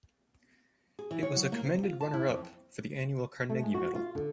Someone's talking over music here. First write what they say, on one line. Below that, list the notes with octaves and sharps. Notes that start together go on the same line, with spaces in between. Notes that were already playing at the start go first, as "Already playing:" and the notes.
It was a commended runner-up for the annual Carnegie Medal.
G#4
E3
C#5
F#3
A#3
C3
F4
A5
E4
F2
A3
G#3
F#4
F4
D3